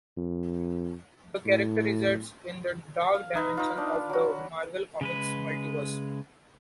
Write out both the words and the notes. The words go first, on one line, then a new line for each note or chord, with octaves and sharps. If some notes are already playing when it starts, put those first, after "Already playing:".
The character resides in the "Dark Dimension" of the Marvel Comics multiverse.
F2
A2
F5
D#4 B4
D#4 F4
D4
F#3 F#4
C#3 G#3 B4